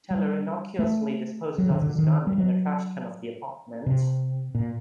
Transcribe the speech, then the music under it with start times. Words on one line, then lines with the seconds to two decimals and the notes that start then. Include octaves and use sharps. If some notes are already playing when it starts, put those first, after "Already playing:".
Teller innocuously disposes of his gun in a trashcan of the apartment.
0.11 G3
0.79 A3
1.58 F#3
1.70 D3
1.82 D3
1.98 D#3
2.27 G3
2.38 F#3
3.86 C3
4.55 A#2